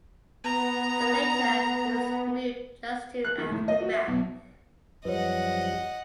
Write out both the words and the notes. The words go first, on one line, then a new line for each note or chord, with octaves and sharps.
But later he was moved just to Aftermath.
B3 A#5
F#6
D#3
A2
D#5
F#4
E5
B1
F#2 F3 G3 B4 C#5 D#5 F#5